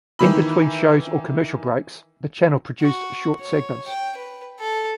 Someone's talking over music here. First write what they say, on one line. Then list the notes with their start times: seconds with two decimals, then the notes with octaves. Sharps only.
In between shows or commercial breaks, the channel produced short segments.
0.19 D#3 E3 B5
2.81 F#4
3.40 C#5
3.88 G5
4.16 B4
4.59 A4